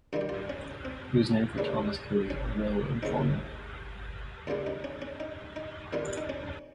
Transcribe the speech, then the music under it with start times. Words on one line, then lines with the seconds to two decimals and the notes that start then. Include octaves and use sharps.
It was named for Thomas Cody, a railroad foreman.
0.13 G2 D#3 G3 F4
0.21 G4
0.29 F4
0.50 C#4
0.85 C4
1.58 D#2 C#3 G3
2.30 C#4
3.03 D#2 C#3 F3 D#4
4.47 D#2 C#3 G3 F4
4.66 D#4
4.84 C#4
5.02 C#4
5.20 D#4
5.56 D#4
5.93 F2 D#3 G3 F4
6.18 D#4
6.29 C#4